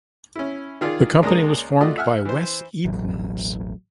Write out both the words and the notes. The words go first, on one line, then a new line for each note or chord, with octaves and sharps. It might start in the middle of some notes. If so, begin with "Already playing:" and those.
The company was formed by Wes Edens.
C#4 E4
D#3 F4 G#4 A#4 D5
C#2 G#3 A#3 D4 A#5 D#6
A3 F4 F#4 D5 D#5
E5 F#5 G#5 F6
E3 C5
E1 A1 F#3